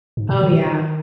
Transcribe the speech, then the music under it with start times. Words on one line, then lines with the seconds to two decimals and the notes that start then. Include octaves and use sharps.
Oh, yeah.
0.17 G#2
0.29 B2
0.41 D3
0.53 D#3